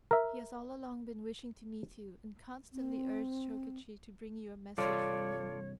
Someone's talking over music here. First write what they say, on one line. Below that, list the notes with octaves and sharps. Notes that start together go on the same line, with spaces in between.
He has all along been wishing to meet you, and constantly urged Chokichi to bring you a message from him.
A#4 E5
C4
C2 G2 F4 A4 C#5 D5